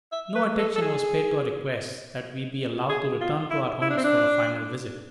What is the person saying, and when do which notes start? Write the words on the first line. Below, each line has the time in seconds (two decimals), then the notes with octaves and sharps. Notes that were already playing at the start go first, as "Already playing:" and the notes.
No attention was paid to our requests that we be allowed to return to our homes for a final visit.
0.12 E5
0.35 B4
0.59 A4
0.76 A4
0.82 G#4
2.89 G#4
3.21 F4
3.50 E4
3.82 E4
3.90 D4
3.97 C4
4.04 D4